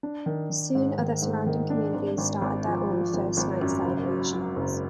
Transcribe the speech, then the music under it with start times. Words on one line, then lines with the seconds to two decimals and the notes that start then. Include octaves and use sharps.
Soon other surrounding communities started their own First Night celebrations.
0.03 D4
0.26 D#3
0.50 D#3
0.75 G#2
0.98 D#3
1.22 G#2
1.46 D#3
1.70 D4
1.94 G#1
2.18 G#1
2.41 G#1
2.65 F3
2.90 F3
3.13 G#1
3.37 G#1
3.61 F#2
3.85 F#1
4.08 F#3
4.33 F#3
4.56 F#1